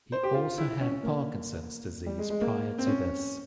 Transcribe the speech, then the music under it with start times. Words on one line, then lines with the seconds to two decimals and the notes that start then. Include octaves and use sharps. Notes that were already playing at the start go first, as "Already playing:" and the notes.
He also had Parkinson's disease prior to this.
0.12 C5
0.23 G4
0.34 F4
0.58 E4
0.69 E4
0.81 C#4
0.92 C#4
1.03 A#3
2.06 G3
2.19 G#3
2.30 G#3
2.41 A#3
2.78 C4
2.87 C#4